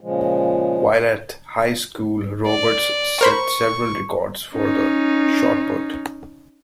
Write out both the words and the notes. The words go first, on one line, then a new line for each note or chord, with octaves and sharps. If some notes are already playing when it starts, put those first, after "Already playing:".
While at high school, Roberts set several records for the shot put.
A#2 C#3 F3 G#3
D5
A#4 C5 B5 C#6
C#4 D#4